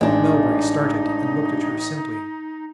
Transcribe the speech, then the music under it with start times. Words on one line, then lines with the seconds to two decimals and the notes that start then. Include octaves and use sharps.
Melbury started, and looked at her simply.
0.01 A1 G#3 D4 D#4